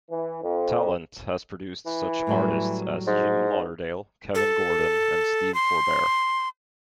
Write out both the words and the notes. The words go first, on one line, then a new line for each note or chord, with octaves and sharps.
Tallent has produced such artists as Jim Lauderdale, Kevin Gordon, and Steve Forbert.
E3
F2
E3
A2 F#3 G3
G#2
A4
C6